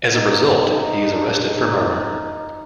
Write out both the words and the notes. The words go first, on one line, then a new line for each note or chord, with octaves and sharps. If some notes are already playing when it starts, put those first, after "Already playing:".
As a result, he is arrested for murder.
D#4
D#4
D#4
D4
D#4